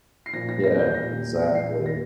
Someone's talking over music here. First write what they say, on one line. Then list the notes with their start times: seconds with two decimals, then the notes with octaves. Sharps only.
Yeah, exactly.
0.26 C7
0.33 A#2 F3 A#3 A#6
0.49 A#6
0.64 A#6
0.79 G6
0.94 A#2 G3 A#3 A#6
1.55 A#2 A#3 C7
1.86 A#6